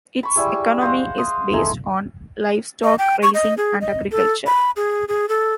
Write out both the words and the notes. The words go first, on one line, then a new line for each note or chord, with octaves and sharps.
Its economy is based on livestock raising and agriculture.
B5 C#6
G3 E4 G#4
C5 D#5 F5 F#5
C6 D#6
A3 D#4 G#4
D#5
G5
C#6
D#5
G#4
D#5
A4
B5
G#4
G#4
A4